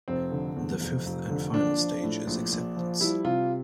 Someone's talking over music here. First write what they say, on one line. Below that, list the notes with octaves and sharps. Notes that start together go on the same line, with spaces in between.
The fifth and final stage is acceptance.
F1 C4
D3
E2
F1
F1
D3
A#1 D4
F3
A2
A#1
A#1
F3
G3 E4
C3 F4